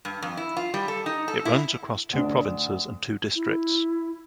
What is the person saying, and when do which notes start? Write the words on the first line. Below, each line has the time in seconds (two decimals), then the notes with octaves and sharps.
It runs across two provinces and two districts.
0.05 G2
0.22 F2
0.37 E4
0.57 F4
0.74 G3
0.88 A4
1.06 D#4
1.28 A4
1.45 E4
2.13 D2 D4
3.35 E4